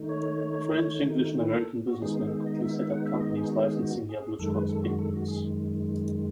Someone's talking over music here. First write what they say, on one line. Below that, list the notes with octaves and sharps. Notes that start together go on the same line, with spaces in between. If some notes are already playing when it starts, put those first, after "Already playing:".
French, English, and American businessmen quickly set up companies licensing Yablochkov's patents.
Already playing: D#3 A3 D#4
C#5
B4
A4
F#4
D#3 G#3 B3 D#4 G#4
G#4
A4
G#4
D#5
E5
E5
F#5
E5
D#5
G#4
F#4
G#4
F#4
G#4
F#2 D#3 G#3 A4
B4
A4
F#4
A4
F#4
G#4